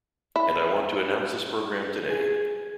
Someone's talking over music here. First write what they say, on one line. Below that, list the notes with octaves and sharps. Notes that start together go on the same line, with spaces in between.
And I want to announce this program today.
E4
G#4